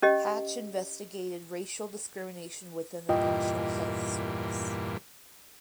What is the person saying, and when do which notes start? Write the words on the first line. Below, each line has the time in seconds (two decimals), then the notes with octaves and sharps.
Hatch investigated racial discrimination within the National Health Service.
0.02 C#4 G4 D#5
3.09 E2 G2 A#2 F4 D#5 G5